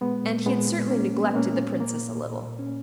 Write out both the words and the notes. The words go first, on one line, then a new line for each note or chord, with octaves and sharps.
And he had certainly neglected the Princess a little.
A#2 G#3 B3
A#2
A#2 G#3 B3
A#2
A#2 A#3 C#4
A#2
B3
A#2 A#3 C#4
A#2
A#2 A#3
A#2
A#2
A#2
C#4